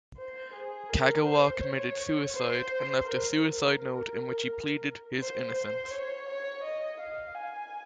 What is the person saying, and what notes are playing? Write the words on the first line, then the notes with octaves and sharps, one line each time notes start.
Kagawa committed suicide and left a suicide note in which he pleaded his innocence.
C5
G#4
A#4
C5
C#5
C5
A#4
A#4
C5
C5
C#5
C#5
D#5
F5
G#5